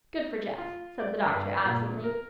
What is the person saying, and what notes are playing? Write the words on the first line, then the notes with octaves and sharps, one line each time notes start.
"Good for Jess," said the doctor absently.
F4
D5
G2
A#2
A#4